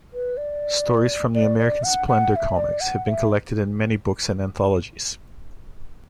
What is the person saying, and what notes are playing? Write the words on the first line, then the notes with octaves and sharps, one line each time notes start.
Stories from the "American Splendor" comics have been collected in many books and anthologies.
B4
D5
D5
D5
F#5
F#5
F#5
E5
D5
F#5
F#5
E5